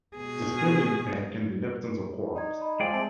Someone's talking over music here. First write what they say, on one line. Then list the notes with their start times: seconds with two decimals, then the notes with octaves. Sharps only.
This fermion pair can be leptons or quarks.
0.17 B2 G#4
2.35 D#4 D5 G#6
2.62 D#5 B5
2.80 F3 G#3 G#4 D5 G5 G#5
2.93 C4 E5 A5